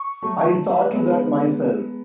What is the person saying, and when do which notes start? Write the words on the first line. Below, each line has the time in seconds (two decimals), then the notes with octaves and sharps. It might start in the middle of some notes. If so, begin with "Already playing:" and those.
I saw to that myself...
Already playing: C#6
0.22 F#3 A3
0.68 E5
0.79 B4
0.91 G#3 B3 C#5